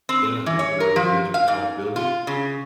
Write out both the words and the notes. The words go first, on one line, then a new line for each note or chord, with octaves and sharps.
Yeah, looking over the edge of a tall building.
C4
E3
C#5
A#4
F3
F5
G#2
F4
C#3